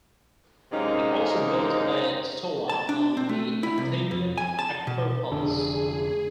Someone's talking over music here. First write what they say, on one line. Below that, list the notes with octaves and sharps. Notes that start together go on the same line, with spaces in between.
He also built a stoa on the Athenian acropolis.
F#2 C3 G#3 A#3 C#4 D#4
A5
D4
C4
A3
E4
C2
F2
G#5
A5
B2
F1 D3 D4 G#4